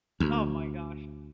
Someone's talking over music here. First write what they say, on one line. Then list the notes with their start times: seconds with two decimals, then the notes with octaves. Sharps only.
Oh my gosh.
0.20 D2